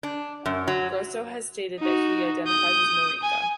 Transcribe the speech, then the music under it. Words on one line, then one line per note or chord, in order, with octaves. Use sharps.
Grosso has stated that he identifies as "marica".
D4
F#2
F#3
D#4 F#4
D#6 G6
G#5